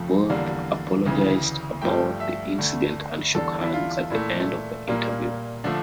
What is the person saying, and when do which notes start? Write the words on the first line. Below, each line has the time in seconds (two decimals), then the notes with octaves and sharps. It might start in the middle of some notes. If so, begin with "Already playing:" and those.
Both apologised about the incident and shook hands at the end of the interview.
Already playing: F2 C#3 F3 A3
0.29 E2 D3 G3 A#3
1.06 D2 C#3 E3
1.82 G2 F3 A3 G5
2.20 E5
2.58 D2 D3 A3
3.35 E2 D3 G3 A4
3.61 E4
3.73 F4
4.10 A#2 A3 E4
4.88 A#2 G3 A#3
5.64 D3 F3 A3 D4